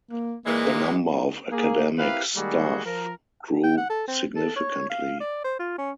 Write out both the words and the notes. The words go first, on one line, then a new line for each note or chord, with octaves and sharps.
The number of academic staff grew significantly.
A#3
A#2 E3 G#3 A#3
A#3 G#4
C4 E4 G4 A#4 B4 F5
D#3 G3 G#3 A#3 F#4 G#4
F3 A#4
G5
F#5
A4
C4
A4
C#5
F5
D5
C5
F4
C#4